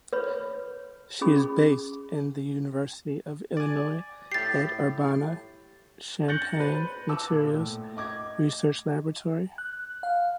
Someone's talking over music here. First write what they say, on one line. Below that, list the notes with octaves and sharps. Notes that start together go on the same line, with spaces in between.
She is based in the University of Illinois at Urbana–Champaign Materials Research Laboratory.
B4 C#5 B5
C#4 G#4 B5
D5 G#5
A2 G4 A6 C7
F#6 G6 A6 A#6 C#7 F#7
B4 C5
A5 D6 E6
A#2
A2
D#5 D6 G#6
F#6
F5